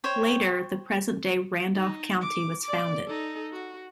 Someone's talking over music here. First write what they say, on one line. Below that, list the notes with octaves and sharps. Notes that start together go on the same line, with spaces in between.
Later, the present-day Randolph County was founded.
C5 C#5 G5
D#4
D6
D5 D6
D#4 A4
F#4